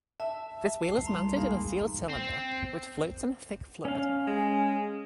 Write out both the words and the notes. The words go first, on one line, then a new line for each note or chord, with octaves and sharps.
This wheel is mounted in a sealed cylinder, which floats in a thick fluid.
E5 A5
C7
C2 A5 A#5 C6
D#3 G#3 A#3 B5
C4
C#4 F5
G#3